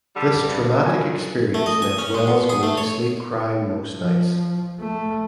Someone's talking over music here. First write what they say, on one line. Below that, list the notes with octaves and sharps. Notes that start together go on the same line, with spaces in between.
This traumatic experience left Wells going to sleep crying most nights.
D3 G3
G2
F#3 F4 G#5
A3
D#5
G#5
C#4
G#3
B2
G#4
A3
C#5
F3
A3